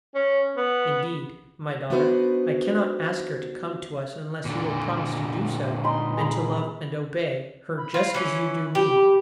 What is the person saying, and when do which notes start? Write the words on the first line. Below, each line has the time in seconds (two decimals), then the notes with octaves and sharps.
Indeed, my daughter, I cannot ask her to come to us unless you will promise to do so, and to love and obey, her just as you do me.
0.15 C#4
0.57 B3
1.90 B3 D4 D#4 F#4 B4 C5
4.45 A#2 D3
5.84 D#4 B5 C6
6.17 G#4 B5
7.77 B5
7.94 F4
8.14 E3 C#4
8.75 G4